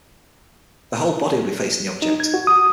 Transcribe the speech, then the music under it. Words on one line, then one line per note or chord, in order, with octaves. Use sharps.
Their whole body will be facing the object.
D#4
G#6
F#4
D#6